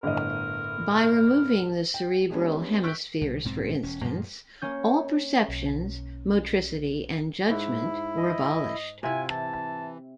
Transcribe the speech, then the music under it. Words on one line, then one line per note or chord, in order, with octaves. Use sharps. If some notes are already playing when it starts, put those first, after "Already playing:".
By removing the cerebral hemispheres, for instance, all perceptions, motricity, and judgment were abolished.
G1 A2 A#4 D#5
G5
G#3 B3 C#4 D4 G4 G#4
C#6 E6 F#6 G6 B6 D7
C2
B1 G#2 C4
E1 C#4
F#2 A#2 F3 G#3
A#3 C#4 G6
B1
G#2 E4
D#5
C3 E4 F4 G#5
E3 A5